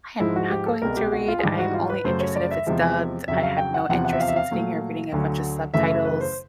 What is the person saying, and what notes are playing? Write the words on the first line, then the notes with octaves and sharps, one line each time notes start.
"I am not going to read, I am only interested if it’s dubbed, I have no interest in sitting here reading a bunch of subtitles,"
G#2 F3 G#3 E4
F#4
G4
A4
C2 B2 G#3 A#4
G4
F#4
F4
G#4
G#2 E3 G3 G4
F#4
F4
B4
F#2 C#3 F#3 A3 C5
C#5
D5
E5
E2 C3 F3 G#3
F2 C#3 F#3 E5
F5
G5
F#5
E2 C3 F3 F#5
F#5
E5
F5
E5
F5
A#2 F#3 A3
D2 D3 F#3
F#2 C#3 E3 A3 E5
E5
B4
C5